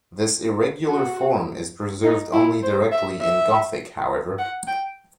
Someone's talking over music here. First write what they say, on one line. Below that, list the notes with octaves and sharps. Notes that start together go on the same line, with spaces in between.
This irregular form is preserved only directly in Gothic, however.
F#4
D#4
E4
C5
E5
E5
F#5
G5